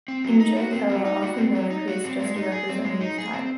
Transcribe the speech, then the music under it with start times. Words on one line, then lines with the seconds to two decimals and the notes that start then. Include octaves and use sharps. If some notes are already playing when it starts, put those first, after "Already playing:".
In Joe Keller, Arthur Miller creates just a representative type.
0.08 C4
0.24 F#3
0.40 D#4
0.57 F#4
0.73 C4
0.90 F#3
1.05 D#4
1.23 F#4
1.38 C4
1.55 F#3
1.70 D#4
1.88 F#4
2.04 C4
2.20 G#3
2.36 D#4
2.52 G#4
2.69 C4
2.85 G#3
3.01 D#4
3.18 G#4
3.33 C4